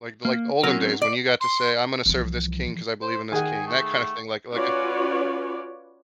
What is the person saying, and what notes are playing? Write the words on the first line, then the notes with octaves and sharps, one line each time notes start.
like the, like olden days when you got to say, "I'm gonna serve this king 'cause I believe in this king." that, kinda, thing, like, like if,
A#3
F#3 C4 C#4 A#4
D5
C6
C2 E3 F3
C5
D#3 G#4 F#5 G#5
A3
C#4 F4 F#4 B4 C#5 D5